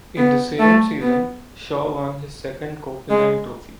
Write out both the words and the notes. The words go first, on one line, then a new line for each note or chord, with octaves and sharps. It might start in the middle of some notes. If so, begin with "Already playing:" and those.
In the same season, Shaw won his second Copeland Trophy.
B3
A3
B3
G#3